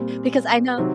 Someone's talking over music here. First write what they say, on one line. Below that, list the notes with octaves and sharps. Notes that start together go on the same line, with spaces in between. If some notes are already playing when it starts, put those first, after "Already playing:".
because I know
Already playing: A#2 G3 C4
C3 D#3 F#3 C4